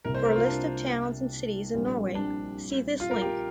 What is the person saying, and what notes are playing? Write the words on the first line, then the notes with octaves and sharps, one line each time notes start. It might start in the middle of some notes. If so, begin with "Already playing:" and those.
For a list of towns and cities in Norway, see this link.
C2 C3 A#3 A#4
C5
A#4
F4
D4
A#1 A#2 G3 C4
D4
F4
A#4
G4